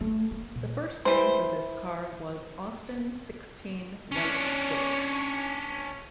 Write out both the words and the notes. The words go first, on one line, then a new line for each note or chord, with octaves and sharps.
The first name for this car was Austin Sixteen Light Six.
A3
A#3
A#2
E3 C5
C#4 D4